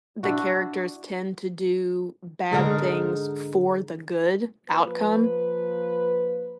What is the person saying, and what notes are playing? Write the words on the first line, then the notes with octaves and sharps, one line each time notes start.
the characters tend to do bad things for the good outcome,
D4 E4 F#4
G#2 D3 D#4 A#4
F3 A#3 B4